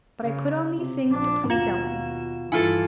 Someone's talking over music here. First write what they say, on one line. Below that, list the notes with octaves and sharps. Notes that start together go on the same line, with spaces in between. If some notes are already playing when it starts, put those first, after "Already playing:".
But I put on these things to please Ellen.
C#3
C3
A#1 D4
D#2 B2 F4 F5 E7
G2 E3 E4 F4 A4 G#5